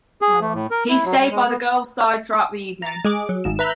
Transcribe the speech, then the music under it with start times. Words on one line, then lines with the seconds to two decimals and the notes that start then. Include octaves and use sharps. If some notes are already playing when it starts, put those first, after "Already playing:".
He stayed by the girl's side throughout the evening.
0.22 G#4
0.41 A3
0.54 A2
0.71 A#4
0.89 E4
1.05 F#3
1.19 G3
1.31 G#3
1.47 B3
2.82 A#5 A6
3.04 G#3 G#4 D6
3.29 F#3
3.44 G#1 G#2 E7
3.59 B4 E5 A#5 F#6 G6 B6